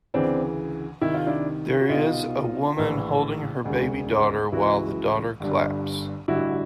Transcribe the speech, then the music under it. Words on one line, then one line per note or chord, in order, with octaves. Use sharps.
There is a woman holding her baby daughter while the daughter claps.
D2 C#3 E3 C4 D4
C2 C3 D#3 E4
F4
D4 E4
F#4
C2 B2 D#4 F4
A#1 A2 E3
E1 D2 C#3
C#2 C#3 E3 E4 F#4
G1 G2 D3
A1 G2 D3 E4 F#4